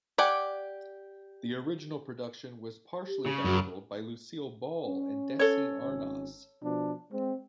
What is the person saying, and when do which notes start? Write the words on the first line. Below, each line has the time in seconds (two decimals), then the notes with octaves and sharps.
The original production was partially bankrolled by Lucille Ball and Desi Arnaz.
0.18 G4 D5 F#5 G#5
3.07 G4
3.26 C#3
3.45 F#2 F#4
4.86 C#4
5.39 A4 C#5
5.81 G#1 C#4
6.62 B2 F3 D4
7.11 G#3 C4